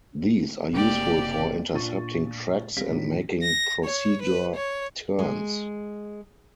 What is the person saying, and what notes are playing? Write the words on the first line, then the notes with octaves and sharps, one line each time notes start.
These are useful for intercepting tracks and making procedure turns.
F#1 C3 A#3 G4 D5
A#2 D4 F4 C#6 A6 D#7
G3 C4 C#4 F5 A#6 B6
A2 D#3 E3 D4 F4 F#4
A#6
C#5
B4
C#5
G#3